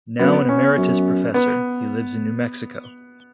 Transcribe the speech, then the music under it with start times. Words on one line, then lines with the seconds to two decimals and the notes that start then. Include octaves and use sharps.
Now an Emeritus Professor, he lives in New Mexico.
0.19 F#2 B3
0.49 C#4
0.77 F#2
1.34 B3